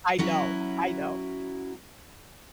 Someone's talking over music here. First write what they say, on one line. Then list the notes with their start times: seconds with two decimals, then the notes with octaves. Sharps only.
I know, I know.
0.18 F#3 C#4 E4 F#4